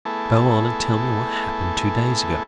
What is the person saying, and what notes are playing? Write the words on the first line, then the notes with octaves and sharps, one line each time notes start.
But go on and tell me what happened two days ago.
A3 B3 E4 G#4 A4